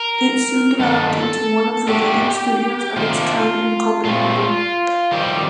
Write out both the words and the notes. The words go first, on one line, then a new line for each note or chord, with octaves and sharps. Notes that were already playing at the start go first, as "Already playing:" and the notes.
It soon developed into one of the leading studios of its kind in Copenhagen.
Already playing: A#4
G2 D#3 A#3 A4
D3 A3 D4 G4
C3 D#3 A#3 D4 F4
A#2 A3 C4 F4
F2 D#3 G3 C4 G4